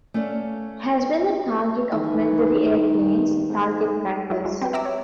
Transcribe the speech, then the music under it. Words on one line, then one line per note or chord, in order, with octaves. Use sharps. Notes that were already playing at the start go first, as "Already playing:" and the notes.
It has been the target of military airplanes' target practice.
A3 C#4 A4 D5 F5
D#3 E3
G2
G#2
F#3 E4
G3 G#3 F#4
C4 G4 B4 G5
E5 A#5 D6 E6
C#5